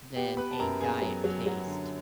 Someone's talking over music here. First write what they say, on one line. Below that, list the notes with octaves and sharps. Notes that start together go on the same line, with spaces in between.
than a diet taste.
B3 G4 G5
B3 B4 B5
A5
F#2 A#4 A#5
B3 G#4 G#5
F#3
F#3
F#3
D3